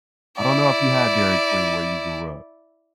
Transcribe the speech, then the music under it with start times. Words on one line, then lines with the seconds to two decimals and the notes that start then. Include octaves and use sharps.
I don't know if you had Dairy Queen where you grew up.
0.38 E4 D5